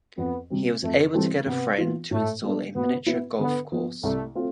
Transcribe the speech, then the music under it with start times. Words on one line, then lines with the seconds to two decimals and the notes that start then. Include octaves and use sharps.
He was able to get a friend to install a miniature golf course.
0.18 F2 B3
0.50 C3 G3 C4
0.82 F2 A3
1.14 E3 G3 A3 C4
1.46 C3 B3
1.78 E3 B3 F4
2.11 A2 A3
2.43 G3 B3 D4 A4
2.75 B2 B3
3.07 B3 E4 B4
3.39 D3 B3
3.72 F3 B3
4.03 C2 A3
4.35 A3 C4 F4